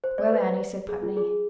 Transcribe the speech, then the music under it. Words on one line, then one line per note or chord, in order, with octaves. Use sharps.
"Well, Annie," said Putney.
C5
D5
B4
G#4
F4
G#4